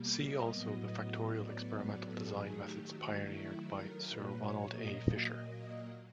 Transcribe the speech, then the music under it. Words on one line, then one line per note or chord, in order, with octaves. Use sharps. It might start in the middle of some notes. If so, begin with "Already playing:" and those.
See also the factorial experimental design methods pioneered by Sir Ronald A. Fisher.
Already playing: B2 G3 A#3
D#5
A2 F#3 B3
D5
D5
A4
D#3 F#3 A3 G#4
G4
F#4
E4
A#4
A#2 F#3 A#3 B4
C#5
D#5